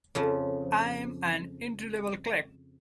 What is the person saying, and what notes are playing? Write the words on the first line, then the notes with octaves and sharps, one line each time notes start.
I'm an entry-level clerk.
F2 C#3 F3